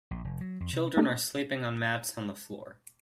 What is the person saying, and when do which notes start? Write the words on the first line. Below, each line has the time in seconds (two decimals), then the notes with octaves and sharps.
Children are sleeping on mats on the floor.
0.11 A#1
0.24 F1
0.41 F#3
0.60 F2
0.73 C3
0.97 A3 A#3 C#4 D#4 G4 A4